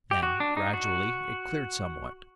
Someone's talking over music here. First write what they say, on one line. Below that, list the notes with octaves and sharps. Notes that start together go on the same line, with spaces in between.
Then, gradually, it cleared somewhat.
G4
F#4
D4
D#4
F#4